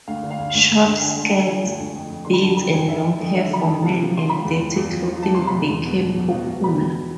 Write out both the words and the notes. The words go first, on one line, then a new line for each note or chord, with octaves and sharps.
Short skirts, beards and long hair for men, and dirty clothing became popular.
D2 F5
D3
F5
D2
D2
D2
D2
D3 G#5
D2
A5
D3
A5
F3 G#5
D2
G#5
D2
F2
F2
D3 C6
B5
F2 A5
F2 B5
F2 G#5
F2 E5
D3
F2
D3 E5
D3 B5
A5
F2
C3 A5
F3
F3 C6
F3 B5
E2
F3
E2
F3
F3
F3 A5
C6
C3
B5
E2
E2
B2
B2
B2
B2
B2
E2 B5
E2